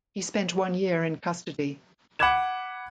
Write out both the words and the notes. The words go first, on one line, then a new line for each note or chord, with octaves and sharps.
He spent one year in custody.
F#5 B5 D6 F#6 G#6 E7